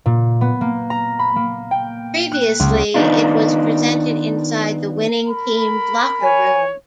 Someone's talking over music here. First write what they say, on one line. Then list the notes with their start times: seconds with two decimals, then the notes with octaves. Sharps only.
Previously, it was presented inside the winning team's locker room.
0.06 A#2
0.41 B3
0.61 A#3
0.90 A#5
1.19 B5
1.36 A#3
1.71 G5
2.32 F#6
2.60 C#2
2.94 D#3 B3 D4 D#4 F4
5.27 A#4 B5
6.21 C#5 G#5